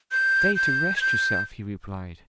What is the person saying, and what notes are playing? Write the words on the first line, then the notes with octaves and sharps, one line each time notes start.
'Stay to rest yourself,' he replied.
G6
G6
G#6
G6